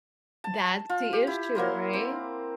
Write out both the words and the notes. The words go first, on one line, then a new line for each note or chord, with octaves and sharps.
That's the issue, right?
A5
F4
G4
E4
F#3 A#3 A#4 C6
C4